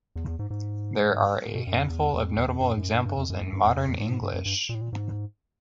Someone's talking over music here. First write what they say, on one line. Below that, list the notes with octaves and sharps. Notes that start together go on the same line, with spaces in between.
There are a handful of notable examples in modern English.
E2
E2
G#2
G#2
B2
F#2
F2
E2
E2
F2
E2
F2
F#2
F#2
G2
G2
F2
F#2
F#2
G2
F2
F2
F2
G#2
A2
G#2
G2
F#2
G2
A#2
A2
A#2
G#2